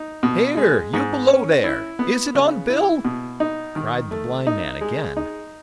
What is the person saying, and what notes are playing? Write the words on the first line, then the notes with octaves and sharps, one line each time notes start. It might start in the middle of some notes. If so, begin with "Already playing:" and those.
"Here, you below there, is it on Bill?" cried the blind man again.
Already playing: D#4
B2
G#3
G#2
C#4
E4
B3
C#3
E4
B2
D#4
D#3
A3
D#4
G#3
D#4